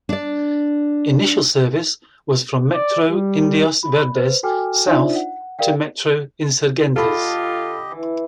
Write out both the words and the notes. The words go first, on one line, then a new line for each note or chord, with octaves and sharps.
Initial service was from Metro Indios Verdes south to Metro Insurgentes.
D4 D5
D5
G3
B5
B4 C5
F#4 A4 G5 G#5 D6 F6
D4 D#4 F4 C5 D5 E5
F#5
G4 A#4 D5 F5 G5
D3 F4 G4 A4 D#5 B5
E3